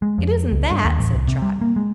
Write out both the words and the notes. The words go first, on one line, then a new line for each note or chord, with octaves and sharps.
"It isn't that," said Trot.
G#3
F2
C#2
G2
D#2
A1
C2
C3
G3
A#3
G#3